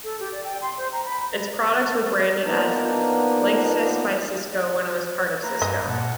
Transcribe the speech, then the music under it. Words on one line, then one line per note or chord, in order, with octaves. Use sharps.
Its products were branded as Linksys by Cisco when it was part of Cisco.
A4
G4
D5
G5
C6
C5
A#5
B5
F3 A#3 B3 D4 D#4
A#3 B4 A#5
G2 D#5
A#2 F#5 A5